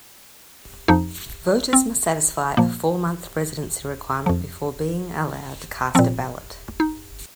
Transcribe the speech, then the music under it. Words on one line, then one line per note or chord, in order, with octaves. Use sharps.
Voters must satisfy a four-month residency requirement before being allowed to cast a ballot.
F2 F3 D#4
C4
A#2 F3 A#3
F2 F3
A#2 F3 C4
D#4